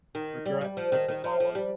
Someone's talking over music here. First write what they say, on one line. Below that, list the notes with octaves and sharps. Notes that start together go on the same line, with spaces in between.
Regrets quickly followed.
D#3
G3
G3
F3
D#3
D#3
F3
F3
G3